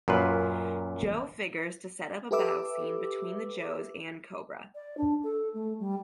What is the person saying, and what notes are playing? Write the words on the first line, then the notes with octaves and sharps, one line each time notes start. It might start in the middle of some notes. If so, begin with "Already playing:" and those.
Joe figures to set up a battle scene between the Joes and Cobra.
F#2 A#2 F4 B4
G4 A4 B4 E5 D6 E6
D5
D4
A4
A3
G3